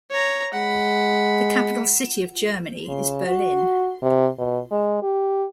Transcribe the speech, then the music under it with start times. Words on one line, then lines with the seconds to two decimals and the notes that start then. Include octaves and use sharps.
The capital city of Germany is Berlin.
0.11 C#5 A#5
0.54 G#3 F#5 B5
2.88 C#3
3.27 F#4
4.02 C3
4.39 B2
4.71 G#3
5.02 G4